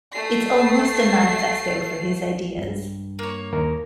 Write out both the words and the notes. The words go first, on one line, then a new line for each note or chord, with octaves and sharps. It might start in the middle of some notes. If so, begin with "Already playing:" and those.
It's almost a manifesto for his ideas.
A3 C7
G2
A#3 C#5
D#2 A#4